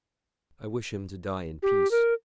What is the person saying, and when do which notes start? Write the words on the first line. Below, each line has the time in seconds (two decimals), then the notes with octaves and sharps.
"I wish him to die in peace."
1.63 G4
1.91 A#4